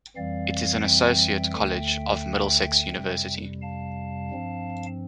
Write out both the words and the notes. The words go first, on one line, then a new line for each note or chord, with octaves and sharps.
It is an associate college of Middlesex University.
F2 E3 G3 C4 D5 F5
E5 G5
D2 D3 A3
F2 C3 G3
F5 A5
G2 F3 C4